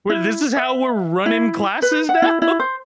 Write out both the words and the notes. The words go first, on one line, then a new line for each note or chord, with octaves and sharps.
We're this is how we're running classes now?"
E4
E5
E4
B4
F#5
E4
E4
C5